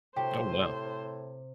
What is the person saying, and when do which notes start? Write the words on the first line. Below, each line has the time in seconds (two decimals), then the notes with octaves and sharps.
Oh, wow.
0.16 A2 C3 F#4 G4 C5